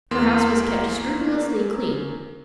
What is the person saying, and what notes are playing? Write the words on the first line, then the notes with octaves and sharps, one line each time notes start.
Her house was kept scrupulously clean.
E2 A#3 C6